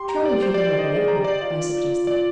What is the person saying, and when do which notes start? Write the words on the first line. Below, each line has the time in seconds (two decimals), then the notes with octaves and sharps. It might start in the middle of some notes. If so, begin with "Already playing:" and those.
"Try if you can recollect me," I suggested.
Already playing: G4 C6
0.09 A#5
0.26 D5
0.42 C5
0.54 D5
0.67 D5
0.79 D#5
0.91 G#4
1.08 A#5
1.16 G4
1.24 D5
1.41 F4 D5
2.07 D5